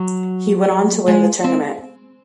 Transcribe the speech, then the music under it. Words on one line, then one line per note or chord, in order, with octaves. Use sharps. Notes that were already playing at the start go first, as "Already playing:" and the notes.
He went on to win the tournament.
Already playing: F#3
G#3
C4